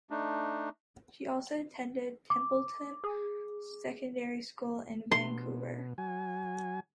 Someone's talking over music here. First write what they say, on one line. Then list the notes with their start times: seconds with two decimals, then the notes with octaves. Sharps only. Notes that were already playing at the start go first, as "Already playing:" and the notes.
She also attended Templeton Secondary School in Vancouver.
0.10 A3 D4 D#4
2.30 D6
3.04 G#4
5.11 B2 C6
5.98 F#3 G#5